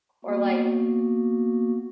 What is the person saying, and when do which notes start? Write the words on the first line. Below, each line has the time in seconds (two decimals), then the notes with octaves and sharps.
or, like,
0.25 A#3 B3 F#4